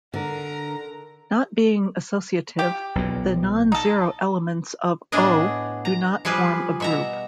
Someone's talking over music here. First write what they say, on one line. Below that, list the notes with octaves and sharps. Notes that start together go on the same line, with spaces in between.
Not being associative, the nonzero elements of O do not form a group.
D3 A#4 A#5
G4
B1 A#2
D#4 A4
A2 B3 D4 G#4 D5 D#5
A#5
F3 G3 G#4 B4
B2 E5 A#5